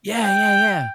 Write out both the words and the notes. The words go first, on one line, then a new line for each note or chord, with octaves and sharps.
Yeah, yeah, yeah.
G5